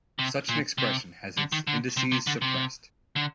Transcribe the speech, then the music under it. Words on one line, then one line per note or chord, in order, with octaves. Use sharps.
Such an expression has its indices suppressed.
C3
A#2
C3
D3
D#3
D3
C3
C3
D3
C3
D3